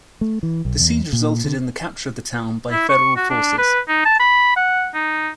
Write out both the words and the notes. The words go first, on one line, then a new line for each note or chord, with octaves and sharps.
The siege resulted in the capture of the town by Federal forces.
A3
E3
B1
E2
A#2
D3
E4
C#6
F#4
D4
B4
D#4
A5
B5
F#5
D#4